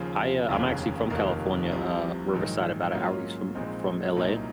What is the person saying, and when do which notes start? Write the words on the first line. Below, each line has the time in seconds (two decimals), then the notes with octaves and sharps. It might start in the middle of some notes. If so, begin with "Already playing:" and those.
I, uh I'm actually from California, uh, Riverside, about a hour east from from LA,
Already playing: D#2 C#3 F3
0.49 F1 D#2 C#3
1.10 F1 D#2 D#3 A#3
1.72 C2 C3 F3
2.33 A#1 G#2 D#3 F#3
2.93 G#2 F#3 A#3 C#4 F4
3.54 A#1 A#2 G#3 C4 D#4
4.16 C2 A#2 F#3 A#3 D#4